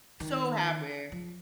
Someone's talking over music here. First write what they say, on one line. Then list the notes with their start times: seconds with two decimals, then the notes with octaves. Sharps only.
So happy.
0.20 D#3
1.12 F3